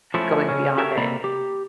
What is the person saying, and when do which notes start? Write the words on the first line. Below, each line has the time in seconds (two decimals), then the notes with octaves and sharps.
going beyond it.
0.14 F3 A3 C#4 E4
0.48 C#3 C#4
0.77 F#4 G4 A4 A#4 E5
0.97 C3 A#3 D5 A#5 B5
1.24 G4